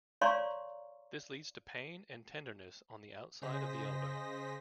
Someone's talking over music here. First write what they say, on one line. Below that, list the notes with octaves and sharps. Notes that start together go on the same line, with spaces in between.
This leads to pain and tenderness on the outside of the elbow.
C#5 D5 F5 A#5 C6 C#6
C#3 G#4 C5 D#5 A#6 B6